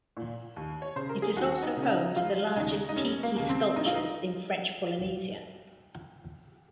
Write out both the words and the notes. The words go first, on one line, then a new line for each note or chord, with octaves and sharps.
It is also home to the largest tiki sculptures in French Polynesia.
A#2
D#2
C#5
C#3 C5
A#4
G#4
D#2 F#4
D#4
C#3
C#4
D#4
F1 F4
D#2 C#3 D#4
D#4
F1 C#4
A#3
D#2 C#3
C4
A#1 D#4
F4
D#4